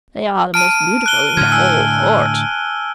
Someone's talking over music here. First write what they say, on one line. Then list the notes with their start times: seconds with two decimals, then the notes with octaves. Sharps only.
They are the most beautiful in the whole court.
0.54 A5 F6 D7 D#7
1.06 F#6 G7
1.37 A2 D3 F6 G#6
1.52 G#5 E6